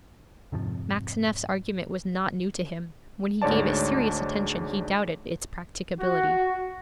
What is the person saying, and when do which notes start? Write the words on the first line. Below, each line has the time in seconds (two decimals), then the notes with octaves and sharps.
Maxineff's argument was not new to him; when he gave it serious attention he doubted its practicability.
0.52 F2 G#2 C3 F3
3.42 D2 G#2 C#5 D5 A5
6.00 F#4